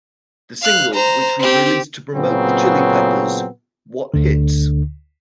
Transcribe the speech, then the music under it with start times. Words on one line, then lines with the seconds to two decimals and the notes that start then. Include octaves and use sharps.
The single, which was released to promote the Chili Peppers' What Hits!?
0.62 F5 F#6
0.94 C5 A#5
1.40 C4 G4
2.14 A#2 C#3 F#3 B3 C4
4.14 D2 D3